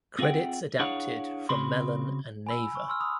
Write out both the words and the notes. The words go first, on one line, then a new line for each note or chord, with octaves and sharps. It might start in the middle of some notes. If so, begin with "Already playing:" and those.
Credits adapted from Melon and Naver.
C4 F4 G#4 E5 F#5 G5
D4 E4 G#4 C#5 F5 F#5
C#3 C4 F#4 G#4 B5 C6
G#5 B5 E6
C#6
C6 E6 F6
B5 D#6